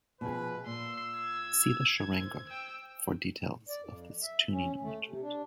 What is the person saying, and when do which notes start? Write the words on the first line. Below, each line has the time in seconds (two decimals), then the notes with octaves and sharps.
See the charango for details of this tuning arrangement.
0.21 B2 F3 G#4 B4
0.66 A#2 C6 E6
1.19 G#6
2.21 C5
2.49 G5 E6
3.69 D5
3.82 F2
4.22 E5
4.52 C#4
4.82 A3
5.07 C3
5.22 D4